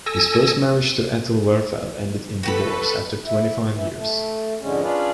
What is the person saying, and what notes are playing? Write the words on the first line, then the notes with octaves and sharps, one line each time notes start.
His first marriage to Ethel Werfel ended in divorce after twenty-five years.
A4 G#5 E6 A#6
F#4 G4 A4 B4 B5
E4
E3
A3
F2 G#2 D3 G#3 C#4
C#4 D4 F4 G#4 B4 D5